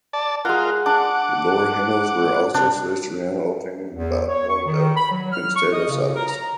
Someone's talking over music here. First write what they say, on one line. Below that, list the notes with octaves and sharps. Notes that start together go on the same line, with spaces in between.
The door handles were also switched around, opening by pulling up instead of sideways.
D5 A5
G#3 F4 A#4 F#5
D4 F#5 D6
C3 D4
E2
C#5
C#6
D#3
B5
F#3
F6
C#6
D#5
C#3
A#4
A#5